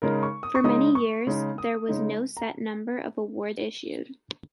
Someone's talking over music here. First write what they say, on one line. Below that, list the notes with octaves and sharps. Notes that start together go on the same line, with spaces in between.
For many years, there was no set number of awards issued.
C#3 G#3 D#4 A#4
C#6
D#6
C#6
C#3 G#3 D#4 D#6
C#6
C#3 G#3 D#4
D#6
C#3 G#3 D#4
A#5